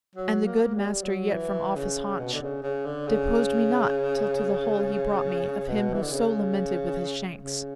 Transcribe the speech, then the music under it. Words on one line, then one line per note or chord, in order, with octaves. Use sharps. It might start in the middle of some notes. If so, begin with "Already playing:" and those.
And the good Master yet from off his haunch Deposed me not, till to the hole he brought me Of him who so lamented with his shanks.
F#3
A#3
G3
F#3
E3
C#3
B2
D3
C#3
C#3
D3
C#3
B2
E3
D3
C#3
C#3